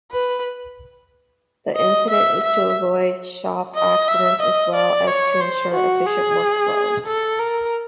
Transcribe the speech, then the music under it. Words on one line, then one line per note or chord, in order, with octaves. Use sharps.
The intent is to avoid shop-accidents as well as to ensure efficient work flows.
B4
D#5
E5
E5
D#5
E5
D#5
D5
C#5
C5
F#4
G#4
A4
A#4